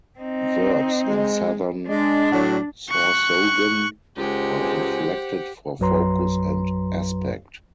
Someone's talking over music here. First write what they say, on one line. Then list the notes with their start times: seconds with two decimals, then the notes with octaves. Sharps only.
Verbs in Southern Sorsogon are inflected for focus and aspect.
0.20 C4 D#4
1.06 G#3
1.88 G#3 D4
2.31 A2 F#3 F#4
2.89 C#6 F#6
4.17 C#2 G#3 G4 C5 F#5
5.79 A#1 F#2 F#3 B4 A#5 C6